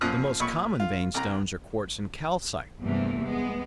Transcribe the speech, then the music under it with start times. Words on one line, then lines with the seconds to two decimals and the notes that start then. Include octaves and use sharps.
The most common vein stones are QUARTZ and CALCITE.
0.01 F#2 A#2 F3 D#6 F6 F#6
0.40 A#2 B5 C#6
0.80 F4
1.14 C2 A#5
2.81 E2 G2 C3 E3 A3 A#3
3.24 G#3 B3